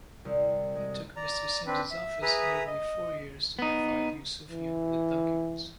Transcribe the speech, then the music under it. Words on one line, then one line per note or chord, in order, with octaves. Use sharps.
It took Mr Sims's office nearly four years to provide Yousoufian with the documents.
C2
G#3
D5 A#5
C4 D4 B4
E5
G#4 B4 E5 A#5 D#6
D#5
B3 D#4
E3